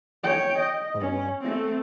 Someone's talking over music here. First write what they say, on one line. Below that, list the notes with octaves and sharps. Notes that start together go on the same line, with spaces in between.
Oh, wow.
C#5 G5
D#5
C#4
A3 C4